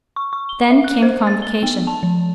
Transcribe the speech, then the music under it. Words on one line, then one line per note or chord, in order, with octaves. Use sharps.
Then came Convocation.
C#6
C#6
G7
E5
F#6
C5
A6
G7
B3
A5
F3